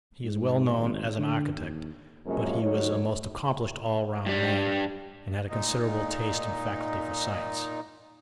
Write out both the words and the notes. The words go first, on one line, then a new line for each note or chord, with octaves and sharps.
He is well known as an architect, but he was a most accomplished all-round man, and had a considerable taste and faculty for science.
G#2
G#1
D3
D#2
F#2 C3 F3 G#3 A#3 C#4
D2 F#3 A3 D#4 C#5
G2 G3
A#2 D#4